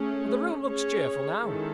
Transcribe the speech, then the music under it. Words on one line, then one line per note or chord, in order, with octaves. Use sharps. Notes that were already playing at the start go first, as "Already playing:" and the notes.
But the room looks cheerful now.
Already playing: A3 C#4 G#4
C#4 G#4 C#5
D#3 G#3 C#4 E4 A4